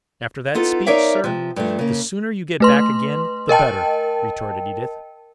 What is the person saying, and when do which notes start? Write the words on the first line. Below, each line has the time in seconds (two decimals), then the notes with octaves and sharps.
"After that speech, sir, the sooner you get back again the better!" retorted Edith.
0.54 B3 D#4 F4 A4
0.86 D#4 A#4 C#5 D5 E5 F5
1.24 C3 F3
1.56 G2 F3 A3
1.79 C#3 A#3
2.60 A3 B4 C6
3.49 A#4 D#5 G5 A5